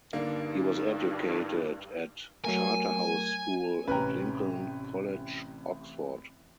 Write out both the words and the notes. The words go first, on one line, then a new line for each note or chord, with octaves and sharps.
He was educated at Charterhouse School and Lincoln College, Oxford.
G2 D3 A#3 D4 D#4
F#3 A3 A#4 G#5
A1 C3 C#4 B4 G5 A#5